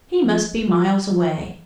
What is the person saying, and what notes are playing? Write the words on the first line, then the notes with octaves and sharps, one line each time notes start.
He must be miles away.
F3
F3
F3